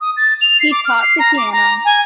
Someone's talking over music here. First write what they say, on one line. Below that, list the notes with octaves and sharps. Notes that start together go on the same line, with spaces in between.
He taught the piano.
D#6
A6
F7
C7
D6
F6
C7
A#5
D6
A#5
G#5